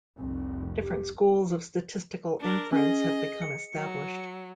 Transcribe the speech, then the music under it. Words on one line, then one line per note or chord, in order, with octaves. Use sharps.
Different schools of statistical inference have become established.
F1 C2 C4
G4
D4 A#4
C#4 G#4 D#5
C#7
F#3